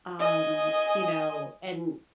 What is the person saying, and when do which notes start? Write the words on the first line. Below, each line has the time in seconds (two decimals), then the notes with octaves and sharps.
Um, you know, and,
0.19 D#5 G#5